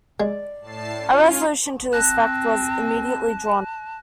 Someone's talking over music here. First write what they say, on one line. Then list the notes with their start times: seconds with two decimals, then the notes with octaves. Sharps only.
A resolution to this effect was immediately drawn up.
0.20 G#3 D5
0.62 A2 A5 C7
0.99 C#4 F4
1.93 C4 A5 F#6 A#6